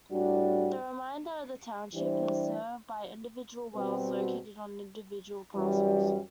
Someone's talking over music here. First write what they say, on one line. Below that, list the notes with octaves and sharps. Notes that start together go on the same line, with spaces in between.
The remainder of the township is served by individual wells located on individual parcels.
A2 G3 D4 F#4
E3 G3 D4 G4 C5
B2 G3 C4 F#4 B4
F#2 E3 G3